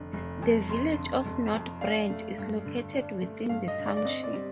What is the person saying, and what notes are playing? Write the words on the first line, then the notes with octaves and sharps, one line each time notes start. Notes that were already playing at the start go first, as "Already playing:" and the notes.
The Village of North Branch is located within the township.
Already playing: F1 D3
F1
F2
F1 C6
D3
F1
F2
D4 F5
A3
G2
D3
D4
A3
G2 F5
D#5
D3
D5
D5
C4 D#5
D5
G3